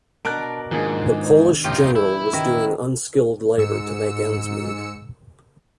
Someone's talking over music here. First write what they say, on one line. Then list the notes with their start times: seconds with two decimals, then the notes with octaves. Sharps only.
The Polish general was doing unskilled labor to make ends meet.
0.25 B2 D4 A#4 D5 A5 F#6 D7
0.71 G#2 D#3 F3 A#3 D4 G#4
1.64 A1 D#4 F4 G4
1.96 E3 E4
2.33 D#3 C#4 F#4 B4
3.58 G#2 E6 C#7